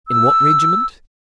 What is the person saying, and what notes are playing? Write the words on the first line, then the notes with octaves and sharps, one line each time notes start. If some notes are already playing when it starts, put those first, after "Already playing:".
In what regiment?
E6